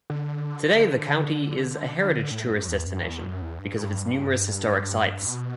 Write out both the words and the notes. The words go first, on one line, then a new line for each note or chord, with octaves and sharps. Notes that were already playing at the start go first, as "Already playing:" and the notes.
Today, the county is a heritage tourist destination, because of its numerous historic sites.
D3
D3
A2
F#2
E2
F#2
E2
F#2
E2
G2
B2